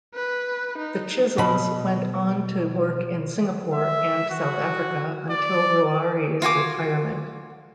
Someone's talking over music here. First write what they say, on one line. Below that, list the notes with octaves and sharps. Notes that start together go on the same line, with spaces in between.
The Chisholms went on to work in Singapore and South Africa until Ruari's retirement.
B4
D#4
B2 B5
E5
F#4
D5
F4 F#4 G#5 D6